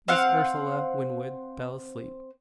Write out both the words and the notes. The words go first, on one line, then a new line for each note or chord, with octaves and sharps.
Miss Ursula Winwood fell asleep.
C4 F5 F#5